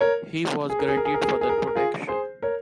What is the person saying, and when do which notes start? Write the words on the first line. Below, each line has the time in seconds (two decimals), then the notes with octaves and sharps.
He was guaranteed further protection.
0.01 A#4 C#5
0.70 G#4
0.79 A#4
0.88 G#4
0.97 A#4
1.05 G#4
1.14 A#4
1.23 G#4
1.32 A#4
1.41 G#4
1.49 A#4
1.58 G#4
1.67 A#4
1.75 F4 G#4
2.08 G#4 C5
2.42 A#4 C#5